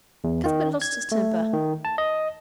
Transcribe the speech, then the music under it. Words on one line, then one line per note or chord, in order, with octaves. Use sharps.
Cuthbert lost his temper.
E2
D#3
G#6
A3
D#3
A5
D#5